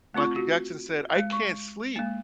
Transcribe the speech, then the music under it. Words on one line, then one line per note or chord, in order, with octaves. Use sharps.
Michael Jackson said, "I can't sleep
A3 C4 F4 C#6
F#4
G#3
C#6
G#3 A#3